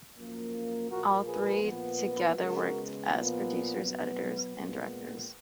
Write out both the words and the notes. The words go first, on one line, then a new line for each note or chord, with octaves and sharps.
All three together worked as producers, editors and directors.
F#2 F3 A#3
A#2 F3 A#3 F#4 A#4
G#4 B4
A#2 F3 B3
C#3 G#3 B3 F#4 A#4
A#2 F3 B3
B2 F#3 B3
A#2 G#3 B3